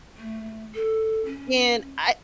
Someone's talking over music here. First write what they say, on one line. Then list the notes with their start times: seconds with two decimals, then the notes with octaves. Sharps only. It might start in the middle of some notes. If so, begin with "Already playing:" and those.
and I
0.17 A3
0.74 A4
1.25 C#4